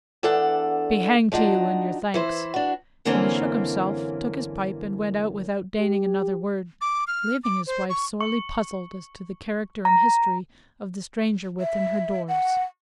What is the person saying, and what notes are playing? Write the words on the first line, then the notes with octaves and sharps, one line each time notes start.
"Be hanged to you and your thanks." And he shook himself, took his pipe, and went out without deigning another word; leaving his wife sorely puzzled as to the character and history of the stranger within her doors.
E2 D4 A4 F#5
F3 D4 D#4 F#4
E3 E4 C5
D4 F#4
F#2 D3 E3 A#3 C4 C#4
G4
D6
F6
D6
C5
C#6
C#6
A#5
E5
F#5